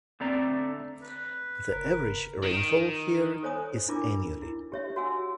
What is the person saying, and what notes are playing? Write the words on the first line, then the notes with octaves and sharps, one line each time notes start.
The average rainfall here is annually.
D3 A3 C4 D5 A#5
B4
F#1 A#4
D#3
A4 C5 C#5 G#5 D#6
D4 E4 F4 A#4 D6
E4
G4 C#5 E5
F#4 C#5 F#5 G#5 E6